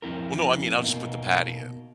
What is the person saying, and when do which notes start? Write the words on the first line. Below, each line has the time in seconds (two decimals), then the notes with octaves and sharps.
Well, no, I mean, I'll just put the patty in
0.02 F2 C4 E4 A#4
0.78 B2 A#3 D#4